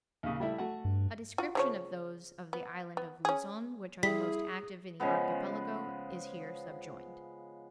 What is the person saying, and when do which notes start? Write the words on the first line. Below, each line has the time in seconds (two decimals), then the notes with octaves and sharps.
A description of those of the Island of Luzon, which are the most active in the archipelago, is here sub-joined.
0.23 D#2 C#3
0.40 G3 A3 E4
0.58 A3 F#4 F#5
0.85 G2
1.38 F4 F#4
1.55 C#3 F3 C#5
2.53 B3
2.97 B3
3.25 C#4 G#4
4.03 G3 E4 G#4 B6
5.00 C#3 F3 G#3 B3